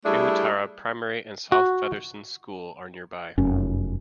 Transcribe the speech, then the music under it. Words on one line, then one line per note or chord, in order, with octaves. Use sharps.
Kahutara Primary and South Featherston School are nearby.
G3 A3 D4 E4 G#4
F#4
F1 F#2 C#4